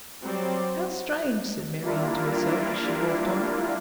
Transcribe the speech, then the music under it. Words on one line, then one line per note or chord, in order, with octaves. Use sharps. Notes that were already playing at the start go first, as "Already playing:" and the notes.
"How strange!" said Marianne to herself as she walked on.
F#3 G3 C4 C5 D5
G3 A#3 D4 E4 F4 A#4